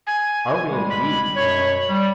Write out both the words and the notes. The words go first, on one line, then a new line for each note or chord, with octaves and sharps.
"Are we, indeed?"
G#5
G3 G#3
B5
F#2 B2 C#5
G3